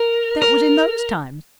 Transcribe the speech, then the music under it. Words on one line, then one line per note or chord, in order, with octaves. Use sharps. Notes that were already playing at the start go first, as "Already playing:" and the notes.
That was in those times.
Already playing: A#4
A#4